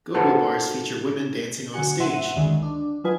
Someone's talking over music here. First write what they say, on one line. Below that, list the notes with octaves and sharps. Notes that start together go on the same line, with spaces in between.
Go-go bars feature women dancing on a stage.
D#4 F4 F#4 A4 B4 C5
D3 F#3 F#4 G#5 C#7
A1 C3 E5 F#5 C6 D#7
C#2 F#2 D3 D#3 G#3
D4
F#3 D#4 F4 B4 G#5